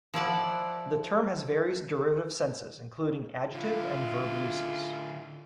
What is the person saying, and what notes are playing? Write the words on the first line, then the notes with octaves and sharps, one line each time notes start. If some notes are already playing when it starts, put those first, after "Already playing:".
The term has various derivative senses, including adjective and verb uses.
F3 E4 D5 F#5
D3 E4 F4